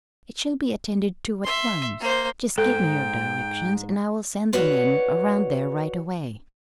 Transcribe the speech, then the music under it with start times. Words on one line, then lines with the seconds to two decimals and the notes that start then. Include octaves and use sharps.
"It shall be attended to at once. Just give me your directions and I will send the men around there right away."
1.44 E5 C6
2.00 A#3 C5
2.58 G#2 A4 G5
4.53 F4 F#4 B4 C#5 D5 F#5